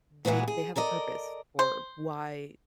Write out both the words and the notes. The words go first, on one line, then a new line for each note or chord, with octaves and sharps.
they they have a purpose for why
A#2 E3 G#3 B3 F#4
G#4
A4 A#4 D5 D#5
C5